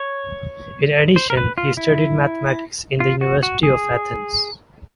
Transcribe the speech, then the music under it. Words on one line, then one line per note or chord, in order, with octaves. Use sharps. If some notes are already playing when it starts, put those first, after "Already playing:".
In addition, he studied Mathematics in the University of Athens.
Already playing: C#5
C5
A#4
B4
F4
E4
F4
F#4
F#4
G#4